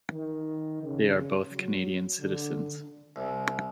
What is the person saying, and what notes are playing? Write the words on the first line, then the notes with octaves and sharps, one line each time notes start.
They are both Canadian citizens.
D#3
C#3
F#3
D3
C2